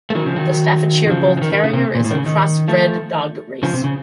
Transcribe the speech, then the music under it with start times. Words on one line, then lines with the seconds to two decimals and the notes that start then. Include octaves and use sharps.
The Staffordshire Bull Terrier is a cross-bred dog race.
0.10 A3
0.15 D#3 F#3
0.26 C#3 F3
0.36 D#3 F#3
1.07 D#3
1.10 C#3 F3
1.37 F3
1.42 D#3
1.52 D#3
1.64 C#3
1.73 C3
1.95 A#2
2.04 A2
2.11 D#3
2.15 C#3
2.26 D#3
2.68 F3 A3
3.63 C#3 F3
3.74 C3
3.84 C#3